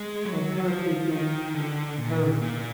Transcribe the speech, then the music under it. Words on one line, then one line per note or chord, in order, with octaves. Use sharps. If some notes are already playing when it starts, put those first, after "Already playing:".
Apathy Took Helm!
Already playing: G#3
F#3
F3
D#3
D3
A#2
A#2